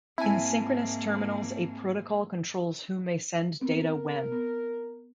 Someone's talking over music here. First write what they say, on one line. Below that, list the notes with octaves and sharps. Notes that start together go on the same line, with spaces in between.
In synchronous terminals a protocol controls who may send data when.
G#2 A#3 C4 E4 G#5 A5
B3 C4 A#4
B3